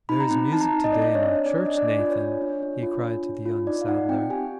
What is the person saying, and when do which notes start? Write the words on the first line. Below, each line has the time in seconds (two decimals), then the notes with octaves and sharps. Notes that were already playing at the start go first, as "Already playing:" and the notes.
"There is music to-day in our church, Nathan!" he cried to the young saddler.
0.09 D#4 B5
0.20 A#5
0.31 C4
0.52 D#4 A5
0.61 A#5
0.68 A5
0.74 D#4
0.84 D#5
0.92 C4 D5
1.02 D#5
1.14 D4 C#5
1.35 D4
1.46 D5
1.58 D4
1.66 D#5
1.77 D4 D5
1.99 F4
2.10 C#5
2.21 D4
2.42 D4
2.62 D4
2.83 F4
3.04 D4
3.26 D4
3.46 F4
3.67 D#4 D5
3.81 F5
3.88 D#4 F#5
4.09 C4 G5
4.30 G4 G#5